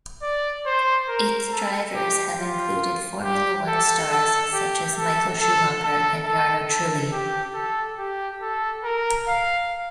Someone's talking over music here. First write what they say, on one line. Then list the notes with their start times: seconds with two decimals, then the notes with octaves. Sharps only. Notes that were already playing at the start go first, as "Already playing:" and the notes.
Its drivers have included Formula One stars such as Michael Schumacher and Jarno Trulli.
0.22 D5
0.67 C5
1.09 A#4
1.52 A4
1.95 G4
2.38 F4
3.24 G4
3.68 A4
4.11 A4
4.53 G4
4.97 A4
5.39 A4
5.83 A4
6.25 A4
6.69 A4
7.12 G4
7.54 A4
7.99 G4
8.42 A4
8.84 A#4
9.27 F5